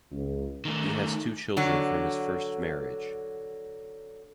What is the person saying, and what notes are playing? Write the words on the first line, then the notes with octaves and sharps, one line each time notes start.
He has two children from his first marriage.
C#2
D#3 A3
D3 F#3